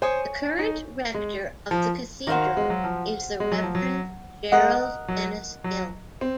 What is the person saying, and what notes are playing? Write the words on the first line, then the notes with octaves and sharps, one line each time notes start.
The current rector of the cathedral is the Reverend Gerald Dennis Gill.
C5 C#5 G#5 D#6
D#4
G#3
F3
D#3 F#4 C5 F5 A#5
G#3
F#3
F3
G#3
F#3
F3
F#3
G#3 A#4 D#5 F#5
F#3
F#3
C4